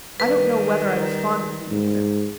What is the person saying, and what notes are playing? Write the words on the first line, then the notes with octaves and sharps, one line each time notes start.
I don't know whether I was fond of you even.
D#3 G3 B4
G#2